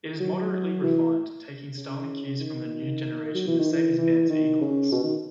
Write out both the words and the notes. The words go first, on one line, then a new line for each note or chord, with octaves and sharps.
It is moderately refined, taking styling cues from the new generation Mercedes-Benz E-Class.
F#3
E3
C#3
D#3
F#3
E3
D#3
E3
E3
D#3
C#3
B2
D#3